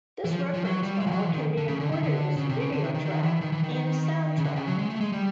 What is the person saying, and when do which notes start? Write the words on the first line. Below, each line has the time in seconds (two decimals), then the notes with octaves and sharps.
This reference file can be imported as the video track in Soundtrack.
0.24 E3
0.31 F3
0.54 F3
0.65 F#3
0.83 G3
1.00 G#3
1.06 F3
1.11 F#3
1.22 E3
1.33 D#3
1.57 D3
1.68 C#3
1.80 D3
1.92 D#3
2.03 D3
2.37 C#3
2.49 C3
2.60 C#3
2.72 D3
2.84 D#3
2.94 D#3
3.05 D#3
3.23 E3
3.41 D#3
3.52 E3
3.63 D#3
4.38 C#3
4.44 D3
4.56 C#3
4.67 F#3
4.78 G#3
4.90 A3
5.00 G#3
5.12 G3